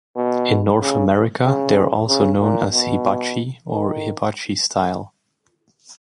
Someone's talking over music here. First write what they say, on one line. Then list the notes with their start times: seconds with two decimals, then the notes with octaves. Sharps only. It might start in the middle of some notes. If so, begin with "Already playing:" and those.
In North America, they are also known as "Hibachi" or "Hibachi-style".
0.17 B2
0.82 C#3
1.45 C#3
2.09 C#3
2.41 A#2
2.73 B2
3.69 D#3